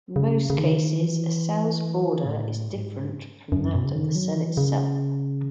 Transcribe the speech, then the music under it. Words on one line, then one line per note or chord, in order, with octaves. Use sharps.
In most cases, a cell's border is different from that of the cell itself.
C#3
C#3
D#3
E3
A2
G#2
F#2
B2
C#3
D#3
F#3
E3
C#3